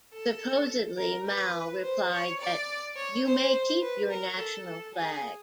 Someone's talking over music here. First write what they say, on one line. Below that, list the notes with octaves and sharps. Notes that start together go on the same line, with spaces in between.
Supposedly Mao replied that "you may keep your national flag".
A4
A#4
B4
C5
C#5
D5
C#5
C5
B4
A#4
A4
A4
G#4